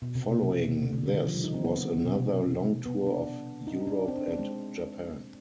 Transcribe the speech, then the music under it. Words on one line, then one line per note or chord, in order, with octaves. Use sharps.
Following this was another long tour of Europe and Japan.
B2
C3
C3
C3
B2
C3
D3
D3
D#3
F3
G3
D#4
C4
B3
B2
C3
B3
D4
D#4
D4
C4
D4
C4
G#3